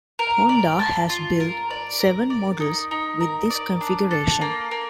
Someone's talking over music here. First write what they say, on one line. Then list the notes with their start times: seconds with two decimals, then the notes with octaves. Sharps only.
Honda has built seven models with this configuration.
0.19 A#4
0.49 D5
0.80 A5
1.09 F4
1.40 A#4
1.70 D5
2.00 A#4
2.30 D5
2.60 D#4
2.91 D#4
3.21 A#4
3.50 D5
3.81 D4
4.11 A4
4.41 A#3
4.71 A#3